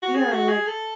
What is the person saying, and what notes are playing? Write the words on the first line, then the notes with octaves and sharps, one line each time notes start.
Yeah, like
F#4
G#4
F#4
G#4
A4